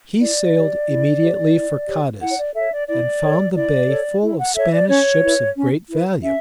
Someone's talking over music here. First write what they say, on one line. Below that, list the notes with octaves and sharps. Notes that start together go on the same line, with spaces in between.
He sailed immediately for Cadiz, and found the bay full of Spanish ships of great value.
E4 D5
G4 C#5
E4
G4 C#5
E4
G4 C#5
E4 F#5
C#5
D5
A4 C#5 E5
D5
E4 D5
A4 C#5
E4 D5
A4 C#5
E4
F#5
A4 C#5 E5
D5
C#4 C#5
E4 B4
C#4
E4 B4
C#4 E5